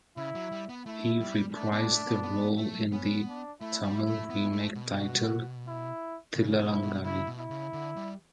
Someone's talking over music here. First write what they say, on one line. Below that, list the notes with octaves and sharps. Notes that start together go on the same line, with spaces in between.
He reprised the role in the Tamil remake, titled "Thillalangadi".
C#3 E4
F#3
G3
B3
A3 E4
G3
A3 D4
B3
A3
B3
B3
A3
B3 C#4
D4
A3 E4
G3
E4
A3
B3
A3
B2
F#4
E4
C#3
B2
E4
B2
C#3 E4
B2
E4
C#3
D3
G3